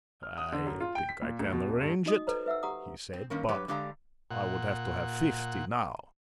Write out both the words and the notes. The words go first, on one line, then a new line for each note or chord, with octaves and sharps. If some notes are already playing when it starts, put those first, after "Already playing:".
"I think I can arrange it," he said, "but I would have to have fifty now."
F6
D#6
D3
F#2
F4
G5
B6
A#2
D2
B2
D#1
G2
D#4 F#4 D#5 D#6
A4 B4 C5 A#5
B4 E5 F#5 E6
G4 F#5 A#5 D#6
C4
G2 D#3 A#3 C#4 A#4
G2 F#3 G4 B4 C#5
D3 G#3 G4 D5 F5 A#5
A#2 F#5